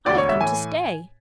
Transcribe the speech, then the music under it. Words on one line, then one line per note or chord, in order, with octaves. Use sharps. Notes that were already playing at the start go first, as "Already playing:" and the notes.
"I have come to stay."
E1 D2 D3 D5
C#5
E5
A2 E3 G#5